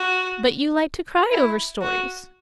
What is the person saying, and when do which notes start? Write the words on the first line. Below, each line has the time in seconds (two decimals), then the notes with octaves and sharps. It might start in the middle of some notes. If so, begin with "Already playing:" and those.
"But you like to cry over stories?"
Already playing: F#4
1.31 E4
1.81 F#4